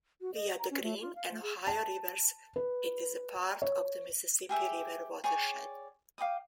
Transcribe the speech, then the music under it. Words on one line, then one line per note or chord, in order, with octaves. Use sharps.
Via the Green and Ohio rivers, it is part of the Mississippi River watershed.
F#4
D#5
A#5
C#4
A3
F4
F5
A3
G#4
A5
B4
C#5
G4 G#4 E5 G5
G#4 C#5 D5 G5
F5 G5 D6 D#6